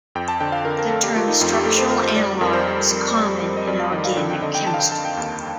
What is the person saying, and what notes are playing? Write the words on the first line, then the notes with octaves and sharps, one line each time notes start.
The term "structural analogue" is common in organic chemistry.
F2 G5
A5
D3 G5
F5
D3 A#4
A#4
A3 A4
G4
A3 F4
D#4
F2 F4
G4
A3 A4
C5
F2 A#4
C5
G3 D5
F2 A#4
C5
G3
F2
G3
G3
D#5
F2 D5
F5
D#3 D#5
F5
D3 G5
G5
D3 D#5
G5
D3 A5
F5
G5
D3 A5
G5
D#2